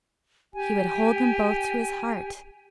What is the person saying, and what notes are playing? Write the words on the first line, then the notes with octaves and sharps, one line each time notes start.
He would hold them both to his heart.
G4 G5 G#5